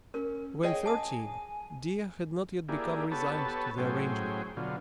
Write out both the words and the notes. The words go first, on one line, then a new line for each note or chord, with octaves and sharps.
When thirteen, Dea had not yet become resigned to the arrangement.
C#4 A#4
G#4 C#5 D#5 G5
G#5 A5 D#6
A#3 D4 E4 G4 G#4
B3 G4 A4 B4 C#5 A5
A2 F#3 C#4 G#4 C5 G5
B2 D3 F#3 F4